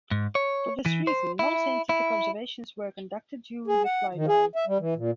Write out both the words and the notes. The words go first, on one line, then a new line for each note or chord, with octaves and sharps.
For this reason, no scientific observations were conducted during the flyby.
G#2
C#5
E3
C5
E4
E4
G#4
F#5
D#3
G#4
E5
G3
E3
A#2